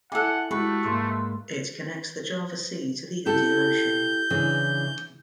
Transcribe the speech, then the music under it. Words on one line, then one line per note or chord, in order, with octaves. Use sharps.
It connects the Java Sea to the Indian Ocean.
E4 A4 E5 F#5 G#5 D6
G#3 A3 E4 F#4 G4 B4 C#6
G#2 A#3 C6 E6
E4 G4 A4 G6
C#3 E3 D4